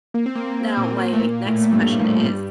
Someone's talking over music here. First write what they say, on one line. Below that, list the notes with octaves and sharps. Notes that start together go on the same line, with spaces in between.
Now my next question is
A#3
C4
A#3
C4
A#3
C4
A#2 A#3
A3
A#2 A#3
A#3
A2 A3
A3
G2 G3
F3
F3
G2 G3